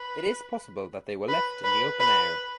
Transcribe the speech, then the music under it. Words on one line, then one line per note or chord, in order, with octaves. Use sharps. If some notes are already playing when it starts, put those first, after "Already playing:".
It is possible that they were left in the open air.
Already playing: B4
B4
B4
B4